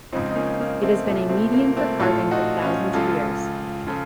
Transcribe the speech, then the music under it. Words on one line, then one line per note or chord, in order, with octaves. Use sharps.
It has been a medium for carving for thousands of years.
C#2 C#3 F3 C4 D#4
D#4
A#3 C#4
A#3
A3 C4
C2 A#2 F3 A3
A3 C4
A#3
A3 C4
A#1 A2 F3 F4 A4
D#4 F#4
C#4 F4
C#2 C#3 F3 F4 A4
C#3 F3 F4 A4